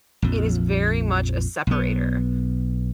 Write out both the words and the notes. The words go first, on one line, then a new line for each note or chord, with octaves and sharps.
it is very much a separator.
A#1 F2
B1 B3